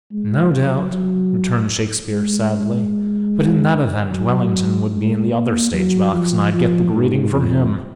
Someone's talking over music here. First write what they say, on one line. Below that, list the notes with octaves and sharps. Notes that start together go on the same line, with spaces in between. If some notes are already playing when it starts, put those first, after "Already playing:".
"No doubt," returned Shakespeare, sadly; "but in that event Wellington would be in the other stage-box, and I'd get the greeting from him."
G#3
F#3
F#3
G#3
F#3
G#3
A#3
F#3
F3
F3
G#2
F2